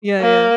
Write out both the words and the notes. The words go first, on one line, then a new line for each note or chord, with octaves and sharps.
Yeah, yeah,
A#3